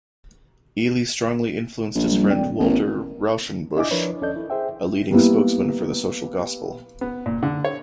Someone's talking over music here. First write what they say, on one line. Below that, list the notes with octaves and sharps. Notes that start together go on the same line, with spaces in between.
Ely strongly influenced his friend Walter Rauschenbusch, a leading spokesman for the Social Gospel.
A#1
G3
D1 D5 G5
A1 B3 E4 A#4
D4 E4 D#5 E5 G#5 D6
F3 D4 E4 A#4 B4 C#5
D#2 C#4 A4 D5 D#5 G6
E4
G#4 C5 E5 G5
G3 A#3 B3 E4
B3
A#2
D3
C#5